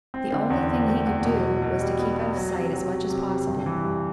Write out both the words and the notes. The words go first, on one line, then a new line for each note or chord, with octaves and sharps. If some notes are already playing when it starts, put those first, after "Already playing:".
The only thing he could do was to keep out of sight as much as possible.
C4
D3
E2
C4
A3
E2
B2
B2
B2
G3
B3
B3
F#3
C3
F#3
F#3
C3
C3
G2
E3
G2